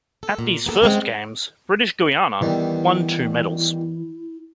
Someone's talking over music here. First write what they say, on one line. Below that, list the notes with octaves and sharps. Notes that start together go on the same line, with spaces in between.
At these first Games, British Guiana won two medals.
A4
A#2
A#3 B3 G#4 A4
G#3 C4 C#4 E4
E2 D#3 E3 G3 E4